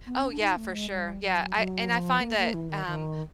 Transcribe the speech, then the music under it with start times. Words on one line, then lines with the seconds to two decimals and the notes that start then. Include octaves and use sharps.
Oh, yeah, for sure, yeah, I and I find that, um,
0.06 B3
0.15 C4
0.23 C#4
0.31 D4
0.40 D#4
0.57 A3
0.73 G#3
0.90 G3
1.23 F#3
1.56 F#3
1.88 F3
2.21 A#3
2.37 A#3
2.54 E3
2.70 D#3
2.87 D#3